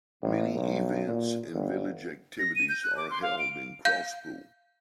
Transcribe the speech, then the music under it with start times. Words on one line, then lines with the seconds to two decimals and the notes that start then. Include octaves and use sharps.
Many events and village activities are held in Crosspool.
0.23 A1
0.55 B1
1.08 A#2
1.54 G1
2.39 A#6
2.55 D#7
2.69 G6
2.83 F#6
2.97 D6
3.10 C6
3.22 F5
3.39 D7
3.85 F5 G6